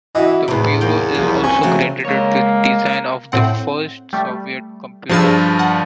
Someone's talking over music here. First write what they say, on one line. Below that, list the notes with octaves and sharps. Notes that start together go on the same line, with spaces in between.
The bureau is also credited with design of the first Soviet computers.
E3 E4 F#4 D#5
E2 A2 C3 B4 B5
A#3 C#4 G5
C2 F3 A#3
C4 C#4 G#5
C#3 F3 F#3 A3
G#3 A#3 C#5
A2 C4 F#5
G3 A3
G2 F3 G#4 A5 E6
F#5